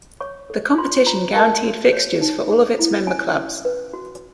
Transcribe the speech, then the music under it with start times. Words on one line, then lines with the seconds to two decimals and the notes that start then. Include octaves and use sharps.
The competition guaranteed fixtures for all of its member clubs.
0.21 C#5 C#6
0.50 A4
0.78 F4 C6
1.07 F4 A#5
1.35 A#4 A5
1.64 F#4
1.93 C#5
2.21 D#4
2.51 G#4
2.79 E4
3.07 C#4 G#5
3.36 C#4
3.65 B4
3.94 F#4